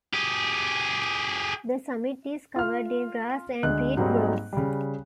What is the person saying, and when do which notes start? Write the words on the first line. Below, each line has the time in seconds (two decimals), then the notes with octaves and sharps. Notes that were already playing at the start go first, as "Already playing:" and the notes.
The summit is covered in grass and peat groughs.
0.13 G4 G#4
2.56 F4 F6
3.63 D2 G#3 F#6
3.97 G#2 F#3 G3 A#3 C4 D#4
4.53 C#3 G3